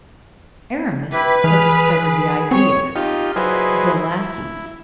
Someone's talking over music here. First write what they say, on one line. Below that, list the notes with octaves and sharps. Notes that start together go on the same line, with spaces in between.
Aramis had discovered the idea, the lackeys.
E4 G4 B4
E3 G#4 B5 F6
G#4
C4 C#5
D#4 F4 G4
F#3 E4 G#4 B4 C5 D#5
E4